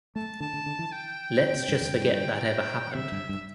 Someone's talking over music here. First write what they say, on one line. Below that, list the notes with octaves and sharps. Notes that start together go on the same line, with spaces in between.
Let's just forget that ever happened.
A3 A5
D3 A5
D3
D3
E3
G5
D3
C3
G2
E2
G2
G5
C3 E5
G2
G2